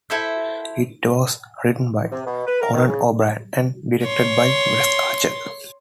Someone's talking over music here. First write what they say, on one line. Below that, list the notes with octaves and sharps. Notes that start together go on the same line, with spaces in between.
It was written by Conan O'Brien and directed by Wes Archer.
E4 A4 C5 E5
C3
B2
B4
A#4
D#3
C#3
C#5 C6